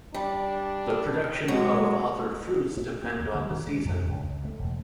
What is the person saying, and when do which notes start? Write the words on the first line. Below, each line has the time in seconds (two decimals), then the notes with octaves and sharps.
The production of other fruits depend on the season.
0.14 G3 D4
1.48 F#3 G#3
2.77 A3
3.04 A#3
3.20 D2
3.35 D3
3.51 D#3
3.67 G#3
3.85 F2
4.09 C#2
4.45 A3
4.59 E1